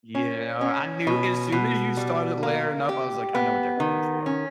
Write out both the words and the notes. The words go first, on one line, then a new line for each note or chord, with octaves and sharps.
Yeah. I knew, as soon as you started layering up, I was like, I know what they're going for.
C#4
C#4
B2
B2
G3
A#3
G4
B3
D#3
C#4